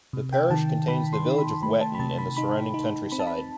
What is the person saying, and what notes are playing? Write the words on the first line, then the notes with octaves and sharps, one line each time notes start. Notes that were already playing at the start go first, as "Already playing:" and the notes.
The parish contains the village of Wetton and the surrounding countryside.
C3
G5
D#3 A5
D#3 B5
C6
D#4
B5
A3 B5
A5
B5
C3 A5
B5
D#4 B5
D#4
C4 B5
A5
B5